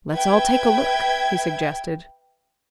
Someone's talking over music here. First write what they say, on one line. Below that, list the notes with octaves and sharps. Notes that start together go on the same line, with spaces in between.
"Let's all take a look," he suggested.
B4 E5 G5 G#6